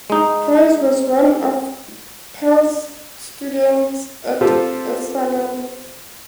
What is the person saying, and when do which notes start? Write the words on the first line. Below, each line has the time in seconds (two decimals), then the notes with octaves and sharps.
Price was one of Perls's students at Esalen.
0.10 G#3 D#4
4.41 C4 F4 G4 A4